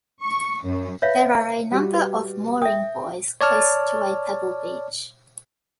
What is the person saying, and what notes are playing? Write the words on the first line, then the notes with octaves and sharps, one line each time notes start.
There are a number of mooring buoys close to a pebble beach.
C#6
F#2
B4 C#5 E5 F5
G3 F#4
B4
E5 G5 D#6
C#5 D5 A5 F6